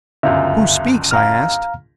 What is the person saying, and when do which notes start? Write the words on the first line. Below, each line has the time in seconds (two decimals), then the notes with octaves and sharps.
"Who speaks?" I asked.
0.23 G1 C#2 F#2 E5 F5
1.11 F5 A#5 F6